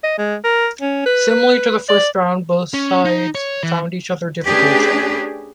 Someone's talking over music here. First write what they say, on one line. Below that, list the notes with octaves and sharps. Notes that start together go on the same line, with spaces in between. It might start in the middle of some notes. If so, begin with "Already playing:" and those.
Similarly to the first round, both sides found each other difficult.
D#5
G#3
A#4
C#4
B4
B4
D5
C#4
D#4
C#5
E3
A3 C#4 D4 G4 G#4 B4